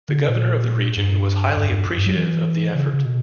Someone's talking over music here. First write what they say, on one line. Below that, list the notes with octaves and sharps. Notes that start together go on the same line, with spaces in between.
The governor of the region was highly appreciative of the effort.
D3
C#3
A#2
G2
G2
G2
F#2
G2
F#3
E3
C#3
C#3
B2